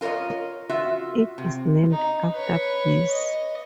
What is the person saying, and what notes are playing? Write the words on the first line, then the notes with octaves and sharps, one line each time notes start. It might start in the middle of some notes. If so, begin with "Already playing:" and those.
It is named after bees.
F4 A#4 C5 C#5 D#5
F4 F#4 E5
C3
D#4
B4 C#5
D#5